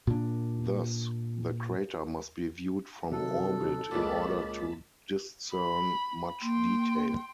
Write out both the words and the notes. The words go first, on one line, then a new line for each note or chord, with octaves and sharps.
Thus the crater must be viewed from orbit in order to discern much detail.
A#2 D4
C3 D#3 F#3 A4
C#2 A#2 A5 B5
B5
A#3 G5 C6